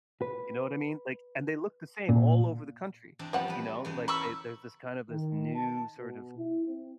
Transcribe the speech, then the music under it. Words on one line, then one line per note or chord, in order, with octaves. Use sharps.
You know what I mean? Like, and they look the same all over the country. You know? Like, they there's this kind of this new sort of
B4
A#2
E2 C4 D4
F3 G3 B3 C4 F#5
E2 B4
E2 C#3 D#5
A#4 A5 B5 C#6 E6
D#3
A5
B2
E4
C4